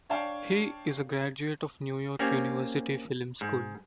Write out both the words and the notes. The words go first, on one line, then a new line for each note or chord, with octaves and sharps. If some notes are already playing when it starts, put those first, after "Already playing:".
He is a graduate of New York University Film School.
D4 C#5 F5 G5 A5 C#6
A#3 C4 C#4 G4
G#2